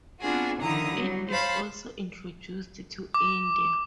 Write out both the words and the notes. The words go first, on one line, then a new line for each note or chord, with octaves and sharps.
It is also introduced to India.
B3 C4 D4 F4 F#4 G#4
D3 D#3 F3 E4 A#5 D#6
F#3 G3
C5 C#5 F5 A5 B5 C6
D6